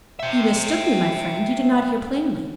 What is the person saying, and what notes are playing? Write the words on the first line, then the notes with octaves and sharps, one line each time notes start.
"You mistook me, my friend; you did not hear plainly."
E5 G5